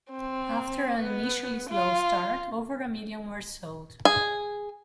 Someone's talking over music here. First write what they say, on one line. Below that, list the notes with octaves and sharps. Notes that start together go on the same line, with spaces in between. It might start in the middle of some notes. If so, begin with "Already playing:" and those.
After an initially slow start, over a million were sold.
C4
B3
F4
G#4